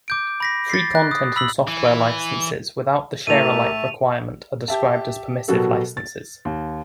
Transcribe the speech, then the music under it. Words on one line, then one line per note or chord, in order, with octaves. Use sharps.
Free content and software licences without the share-alike requirement are described as permissive licences.
D6 G6 D7
B5 A#6 B6
A6 B6 C7
F#6
D#6
B5 E6 B6 F#7
E3
A2 A3 G4 A#4 E5 A5 D#7 F7
G4 E5 A5
B2 F#3 G3 F#4 A4 A#4
A6
D#2